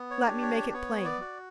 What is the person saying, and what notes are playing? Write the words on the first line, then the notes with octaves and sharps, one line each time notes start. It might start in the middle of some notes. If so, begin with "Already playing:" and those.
Let me make it plain.
Already playing: B3
C#5
D4 G4
C#5
B3 C#5
D5
F#4